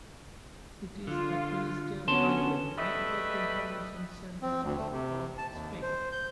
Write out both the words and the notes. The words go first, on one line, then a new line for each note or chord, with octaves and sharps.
It is administered by the Network Information Centre of Spain.
D3 F4
D3 B3 C#4 F#4 A5 C6
G3 A3 B4 D#5 E5
C4
D2
A3
C3
A5
D#2
C5
G6